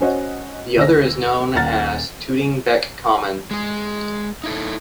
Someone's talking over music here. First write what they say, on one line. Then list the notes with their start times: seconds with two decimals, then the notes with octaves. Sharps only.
The other is now known as Tooting Bec Common.
0.01 C#4 F#4 C5 C#5 D#5 F#5
0.77 D2 E6 A#6
1.54 D#1 A#2 F#5 A#5 F6 A6
3.51 G#3 G#4
4.44 D#4 E4 A4